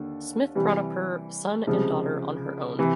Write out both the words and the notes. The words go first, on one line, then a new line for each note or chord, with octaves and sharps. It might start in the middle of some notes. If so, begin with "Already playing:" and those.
Smith brought up her son and daughter on her own.
Already playing: D#2 D3
C3 E3 G3
C#2 C3 F3 G#3
C3 E3